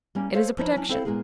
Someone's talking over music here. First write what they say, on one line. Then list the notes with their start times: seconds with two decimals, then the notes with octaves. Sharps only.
It is a protection.
0.15 G3 A#3 C#4
0.34 A4 C5 C#5 F5
0.58 F3 D#4 E4 B4 C#5 D#5
0.76 F#3 C#4 D4
0.89 C4 E4 A4 C5 F5
1.05 A#2 E3 G#3 A#3 B3 G#4